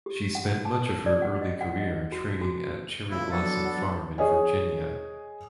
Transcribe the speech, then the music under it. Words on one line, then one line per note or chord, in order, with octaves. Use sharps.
She spent much of her early career training at Cherry Blossom Farm in Virginia.
G4
F#5
A5
A#4
D5
F#5
D#5
F#5
D#5
F#4
F#4
A#2 C#3 E4
F#3 B3 D4 A4
G#4 C#5 D#5 G#5